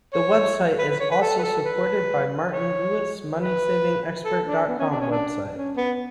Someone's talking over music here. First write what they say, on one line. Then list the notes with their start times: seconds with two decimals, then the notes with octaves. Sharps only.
The website is also supported by Martin Lewis' MoneySavingExpert.com website.
0.13 C#5
0.79 B4
0.89 B4
1.00 C#5
1.11 B4
1.21 A4
1.39 B4
1.43 A4
1.65 B4
2.52 C#5
3.39 B4
4.25 A4
4.47 D4
4.68 B3
4.79 C#4
4.90 D4
5.01 C#4
5.11 D4
5.56 C#4
5.76 B3